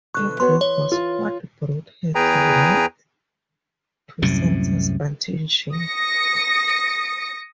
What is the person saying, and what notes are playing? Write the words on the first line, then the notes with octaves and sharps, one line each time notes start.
Her group was what brought her to Right to Censor's attention.
B2 D3 F3 C#6 F#6
B3 F#4 C#5 C6
E3 C#5
F4
E2 G#4 B4 G5 G#5 A#5
C2 F#2 A2 C3
D#6 A#6 C#7